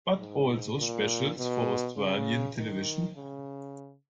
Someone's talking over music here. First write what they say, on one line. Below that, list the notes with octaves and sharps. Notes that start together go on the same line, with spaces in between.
But Also specials for Australian television.
G#2
A#2
B2
C#3
D#3
C#3